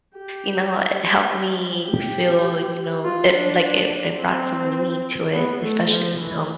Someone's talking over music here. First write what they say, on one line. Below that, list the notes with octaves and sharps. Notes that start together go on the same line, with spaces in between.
you know, it helped me feel you know, it like, it it brought some meaning to it, especially, you know
G4
G4
F4
D4
C4
B3
A3
F3
E3